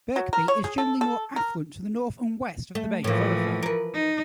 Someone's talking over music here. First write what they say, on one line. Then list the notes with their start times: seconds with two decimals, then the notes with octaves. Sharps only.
Birkby is generally more affluent to the north and west of the main thoroughfare.
0.16 F#3
0.33 A#4
0.48 C#5
0.64 G#4
0.78 A4
1.01 A4
1.36 A#4
2.75 A3
3.04 A2 E3 F3 A#3
3.63 A#4 B4
3.94 D#4